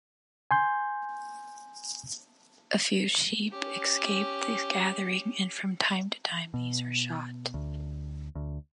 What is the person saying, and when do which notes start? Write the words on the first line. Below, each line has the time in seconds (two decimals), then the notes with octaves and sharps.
A few sheep escape the gathering, and from time to time these are shot.
0.51 G#5 C6 G6
3.52 C#4 G4
6.54 B2
7.54 D2
8.35 D2